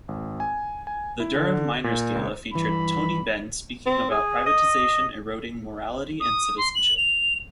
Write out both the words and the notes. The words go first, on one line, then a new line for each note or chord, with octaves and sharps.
The Durham Miners' Gala featured Tony Benn speaking about privatisation eroding morality and citizenship.
G#1
G#5
G#5
E4
D3
A#2
C#2
G2 E3 B5
C4
G#4
D#5
D#6
C6
F#7
F7